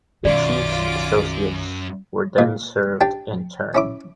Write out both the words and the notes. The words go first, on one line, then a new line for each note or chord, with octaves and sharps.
The chief's associates were then served in turn.
B1 F#2 D#3 F4 D5 D6 D7
A#2 F5
D4 G4 G5 A5
C#4 E4 D6